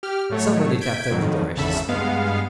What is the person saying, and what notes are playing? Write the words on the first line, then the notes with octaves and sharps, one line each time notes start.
Somebody tapped at the door, as she spoke.
G4 F6
A2 F#3 A3 C#5
G6 G#6 B6 D7
F2 A2 D#3 F#3
G#1 E2 C#3 A4 E5 B5
G2 G#3 B3 F5